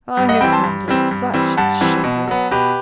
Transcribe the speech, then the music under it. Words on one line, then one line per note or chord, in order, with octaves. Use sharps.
I have come to such shipwreck!
G2
D#5 F#5
E3 G3 C4 G5 B5
A5 C6
G2
E3 G3 C4
G2
E3 G3 C4
G2 F#5 A5
E3 G3 C4
B2
F#3 B3
B2 G4 B4